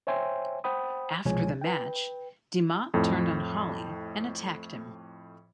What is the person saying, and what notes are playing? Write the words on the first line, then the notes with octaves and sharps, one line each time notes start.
After the match, DeMott turned on Holly and attacked him.
C5 C#5 E5 G5 G#5 C6
C5 F#5 G5 B5 D#6
C2 B2 F3 G#3 C#5 G#5
B4 G5
F2 A2